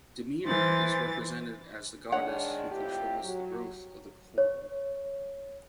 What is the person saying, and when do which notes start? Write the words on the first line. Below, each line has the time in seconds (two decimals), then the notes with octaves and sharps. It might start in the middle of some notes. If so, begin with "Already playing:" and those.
Demeter is represented as the goddess who controls the growth of the corn.
0.47 E3 C5 A6
2.12 D#3 G#3 D4 C#5 F#5
2.71 F2 A2 G4
3.24 F#3
4.38 C#5